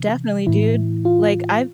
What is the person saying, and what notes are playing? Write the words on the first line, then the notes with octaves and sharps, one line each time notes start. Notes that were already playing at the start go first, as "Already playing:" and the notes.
Definitely, dude. Like I've
Already playing: C3 E3
A2 E3 E4
F4